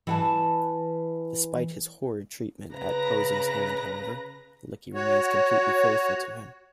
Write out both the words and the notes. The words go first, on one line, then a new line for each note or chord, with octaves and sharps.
Despite his horrid treatment at Pozzo's hand however, Lucky remains completely faithful to him.
E3 F#5 A5
C#3 B4 A#5 A#6
F#4 C#5